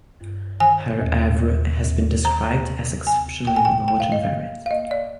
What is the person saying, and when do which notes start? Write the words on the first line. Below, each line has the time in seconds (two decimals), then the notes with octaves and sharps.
Her "oeuvre" has been described as exceptionally large and varied.
0.21 G2
0.60 D#3 G#5
1.01 D#2
1.43 D#2
1.84 D#2
2.24 D#3 A#5
2.66 C3
3.07 D2 G#5
3.47 D2 G5
3.56 G#5
3.65 G5
3.88 G#2 G5
4.00 F5
4.12 D#5
4.24 F5
4.30 A#3
4.66 F5
4.71 A#3 D#5
4.91 D5